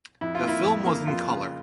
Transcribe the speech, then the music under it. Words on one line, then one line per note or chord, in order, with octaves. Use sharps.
The film was in colour.
F2 E4
F4
A#3
E4
F2
A#3
F2 F4
C#3